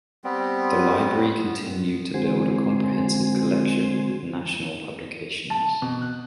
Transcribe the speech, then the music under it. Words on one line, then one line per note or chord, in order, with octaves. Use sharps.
The Library continued to build a comprehensive collection of national publications.
G3 B3 C4
D3 G#3 C4 F#4 G#5 C6
A5
B2
F#6